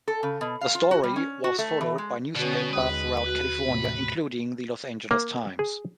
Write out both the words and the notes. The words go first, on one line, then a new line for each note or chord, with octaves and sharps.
The story was followed by newspapers throughout California, including the "Los Angeles Times".
A4
C#3
B2
F5
F4
F#4
G3
C#4
F#4
A3
E3
G#3
B2 D3 B3 C#4 F#4
D#2 G#3 B4 D#6
F#4
A2 C3
A#3
G#4